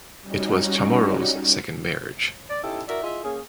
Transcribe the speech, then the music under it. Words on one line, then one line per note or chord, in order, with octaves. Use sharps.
It was Chamorro’s second marriage.
G3 C#4 D#4 F#4
D5
C#4 D#4 E4 G4 A4
E4 F#4 A#4 D5 E5
E4 F4 G#4 D#5 E5
A#3 C#4 G#4